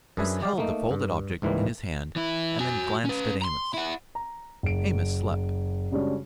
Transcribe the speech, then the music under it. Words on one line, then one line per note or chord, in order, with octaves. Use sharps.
Chris held the folded object in his hand, and then glanced at Amos. Amos slept.
F#2 D4 G#4 B4 E5 G#5
G4 D5 D#5 F5
A3 A#3 D#4
G2
C#2 G#2 E3 G3 A#3
E3 E4
F#4 G#5
C#4 B4
A#5 C6
E4 F#5
A#5
F#1 D7
C#3 G3 G#3 C#4 D4 F#4